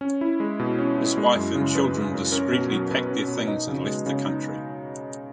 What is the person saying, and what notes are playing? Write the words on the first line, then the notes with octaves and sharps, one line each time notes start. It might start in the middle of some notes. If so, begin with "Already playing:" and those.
His wife and children discreetly packed their things and left the country.
C#4
E4
G#3
B2
C#4
E4
G#3
F#2
C#3
F#2 B4
G#3
F#2
C#4 A#4
B2
F#3
B2 B4
C#4
B2
D#4 D#5
C#3
G#3
C#3
D#4